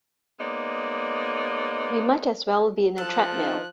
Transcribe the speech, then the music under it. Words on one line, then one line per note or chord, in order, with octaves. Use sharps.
We might as well be in a treadmill.
G#3 A#3 B3 D#4 C#5 D5
F3 A4 F#6
D#4